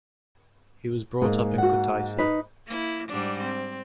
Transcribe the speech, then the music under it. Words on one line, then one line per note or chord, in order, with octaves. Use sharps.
He was brought up in Kutaisi.
G#2 A#3 G#4
F#4 F#5
D#4 B4
A#3 E4
G#2 G3 D4
C4